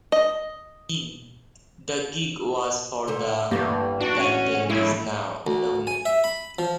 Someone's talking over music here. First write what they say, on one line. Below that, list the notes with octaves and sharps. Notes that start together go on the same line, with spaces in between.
The gig was for the "That Then This Now" documentary.
D#5
D3 A3 C5
E2 G2 D3 E3 A3 A#3 G4
D4 F#4
C#4
A#1 G#3 A#3 E4 A4 C#5
D2
G#5
E5
B5
F3